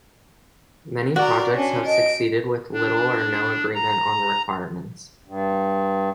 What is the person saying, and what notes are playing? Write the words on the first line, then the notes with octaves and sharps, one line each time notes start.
Many projects have succeeded with little or no agreement on requirements.
F#4 A#4 D5
C#4 D4
D#5 D7
D4
A#5
G2